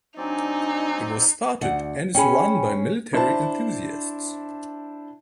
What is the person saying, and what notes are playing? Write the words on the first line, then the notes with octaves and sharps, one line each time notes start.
It was started and is run by military enthusiasts.
F#3 C4 D4 D#4 D5 G#5
D2 F#5
C#4 G#4 G5 G#5 B5
D4 E4 C5 A5